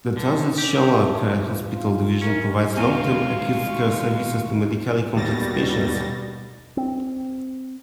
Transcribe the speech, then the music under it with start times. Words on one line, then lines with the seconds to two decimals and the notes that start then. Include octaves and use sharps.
The Transitional Care Hospital division provides long-term acute care services to medically complex patients.
0.17 D3
0.58 G#2 C#4 G4
0.94 F3 A3
1.25 E3 F3
1.68 F4
2.22 A1 C#4 A#4
2.77 E2 D#3 G#3 F4 F5 C#6
5.15 D#2 B2 G3 A6 A#6
6.77 C4